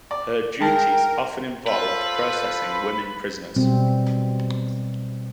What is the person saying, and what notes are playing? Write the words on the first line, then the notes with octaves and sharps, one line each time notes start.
Her duties often involved processing women prisoners.
D5
G#3 A#4 G5 A5
F4 A4 B4 C5
B2 G3 C4